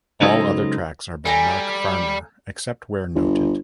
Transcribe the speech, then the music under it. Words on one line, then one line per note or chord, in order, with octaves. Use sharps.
All other tracks are by Mark Farner, except where noted.
C#2 F#3 D#4 A4 C5 D#5
G3 A4 G#5 A#5
G1